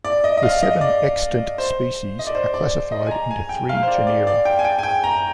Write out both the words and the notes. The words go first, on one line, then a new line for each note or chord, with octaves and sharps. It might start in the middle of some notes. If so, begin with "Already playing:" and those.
The seven extant species are classified into three genera.
D5
D#5
D#5
F5
D#5
D5
C5
D#5
D5
C5
D5
D#5
G#5
A#5
G#5
G5
F5
C5
D5
D5
D5
G5
G#5
G5
G#5
G5
A#5